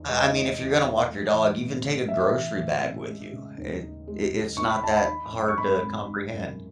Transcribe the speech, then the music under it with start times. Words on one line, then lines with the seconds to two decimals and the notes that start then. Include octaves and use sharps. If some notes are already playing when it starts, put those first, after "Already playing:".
I I mean, if you're gonna walk your dog, even take a grocery bag with you. It i it's not that hard to comprehend.
Already playing: E2 D#4
0.08 G#3 D#5
0.33 D#3
0.58 E2
0.83 D#4
1.08 A3
1.33 E3
1.58 A2
1.83 C#4
2.08 A3 E5
2.33 E3
2.58 A2
2.83 C#4
3.08 G#3
3.33 C#3
3.58 D#2
3.82 D#4
4.08 G#3
4.32 C#3
4.57 D#2 C#6
4.71 B5
4.83 D#4 A5
4.97 B5
5.08 D#3
5.32 F#2
5.48 C#6
5.58 G#1 B5
5.82 G#1
6.08 D#3
6.32 F#2